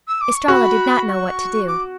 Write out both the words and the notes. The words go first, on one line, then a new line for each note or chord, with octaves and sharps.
Estralla did not know what to do.
E6
D6
C#6
F#4 B5 C#6
C#6
D6